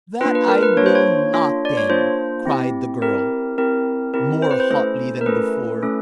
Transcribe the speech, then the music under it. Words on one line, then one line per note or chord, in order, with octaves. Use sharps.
"That I will not then," cried the girl, more hotly than before.
A#3 D4 F4 B4
B4
A#4
B4
A#3 D4 F4 C#5
C5
C#5
A#3 D4 F4
D5
C#5
A#3 D4 F4 C5
C4 E4 G4
C4 E4 G4 A#4
C4 E4 G4 A#4
C4 E4 G4 A#4
C5
B4
C5
A3 C#4 E4 A4 C5
A#4
A3 C#4 E4 A4 B4
A3 C#4 E4 A4